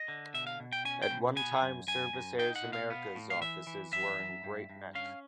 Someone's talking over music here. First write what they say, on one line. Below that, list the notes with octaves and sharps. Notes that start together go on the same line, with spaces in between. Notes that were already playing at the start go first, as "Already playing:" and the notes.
At one time Servisair's Americas offices were in Great Neck.
Already playing: D#5
D3
B2 E5
F5
B2
G5
C#4 G#5
G5
B2
B3 G#5
F#2
F#2 G#5
F#2
D#4 G5
F#5
B2
F5
B3
A2
F5
E3 E5
E3
F#2 E5
F#2
G2
G2
C#4 F5